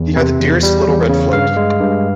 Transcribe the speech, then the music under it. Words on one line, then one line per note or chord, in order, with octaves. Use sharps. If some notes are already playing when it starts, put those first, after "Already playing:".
He had the dearest little red float.
Already playing: E2
C3
E2
G3
E2
C#3
G2 F5
G#3
G2